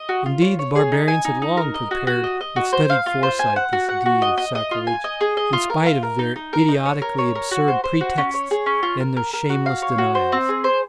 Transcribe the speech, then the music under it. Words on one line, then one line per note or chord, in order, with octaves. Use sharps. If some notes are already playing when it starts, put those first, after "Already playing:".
Indeed the barbarians had long prepared with studied foresight this deed of sacrilege, in spite of their idiotically absurd pretexts and their shameless denials.
Already playing: D#5
F#4
F4
C#5
C#5
G#4
D#4
G#5
D#4
D#4
A#4
D#5
F#4
F#4
D#5
D#5
F#4
C5
F5
F4
C5
G#5
F#5
F#4
F#5
F#4
D#5
D#5
D#5
F4
G#5
D#5
G#4
D#5
F4
A#4
F4
A#4
D#4
D#4
A#4
D#4
C#5
A#4
C#5
A#4
F#4
C5
C5
F#4
C#4
C#5
G#4
C#4
F4
A#4
A#4
A#4
F#4
F5
C#5
F#4
C5
C4
G#4
C5